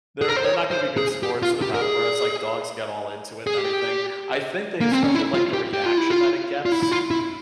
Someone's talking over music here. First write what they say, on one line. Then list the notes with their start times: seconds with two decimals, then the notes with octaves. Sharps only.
they're they're not gonna be good sports about it, whereas, like, dogs get all into it and everything, I think they especially like the reaction that it gets,
0.21 G#4
0.29 A#4
0.36 C5
0.45 C#5
0.71 C5
0.97 G#4
1.23 G4
1.43 F4
1.62 G4
1.74 A#4
1.82 G#4
3.47 G#4
3.58 G4
4.81 A#3
4.92 C4
5.04 C#4
5.15 E4
5.34 F4
5.53 G4
5.73 G4
5.86 F4
5.97 E4
6.10 F4
6.66 F4
6.72 E4
6.83 E4
6.91 F4
7.11 E4